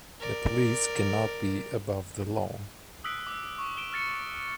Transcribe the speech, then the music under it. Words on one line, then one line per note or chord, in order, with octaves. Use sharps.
The police cannot be above the law.
A#4 D5
D#6 E6 F#6 B6 D7
D6 E6
C#6
D7 E7 G7
F6 A6 C#7